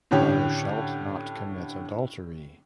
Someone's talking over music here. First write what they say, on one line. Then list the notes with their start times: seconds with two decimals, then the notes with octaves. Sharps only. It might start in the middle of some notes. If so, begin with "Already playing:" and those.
Thou shalt not commit adultery.
0.11 A2 D3 C#4 G4